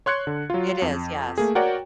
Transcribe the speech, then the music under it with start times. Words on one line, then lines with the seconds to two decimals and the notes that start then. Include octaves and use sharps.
It is, yes.
0.06 C#5 C6 F#6 G#6 C#7
0.27 D3
0.50 F#3 F4
0.82 F2
1.38 A3 A#3 G#4
1.55 F#4 A#4 C#5 D5 F#5 G5